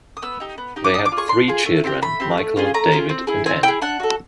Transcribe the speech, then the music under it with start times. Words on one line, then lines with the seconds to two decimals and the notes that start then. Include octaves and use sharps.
They had three children, Michael, David and Ann.
0.17 D#6
0.22 B3 E6
0.40 D#4 G4
0.58 B3
0.76 D#4 G4
0.84 D6
0.94 D4 D#6
1.06 D6
1.12 F4
1.17 G#4 C#6
1.29 D4 C6
1.48 F4 G#4
1.65 A3
1.84 C4 E4 G4
2.02 A3 B5
2.20 C4 E4 G4
2.38 A3
2.56 C#4 F4 G#4
2.74 A3 A#5
2.92 C#4 F4 G#4
3.09 C4
3.27 E4 G#4
3.46 C4 G#5
3.63 E4 G#4 G5
3.82 D4 F#5
4.00 F#4 A4